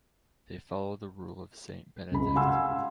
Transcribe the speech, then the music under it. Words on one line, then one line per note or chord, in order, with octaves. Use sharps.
They follow the rule of Saint Benedict.
C#2 G#3 B5
F5 F#5 G#5 C6 E6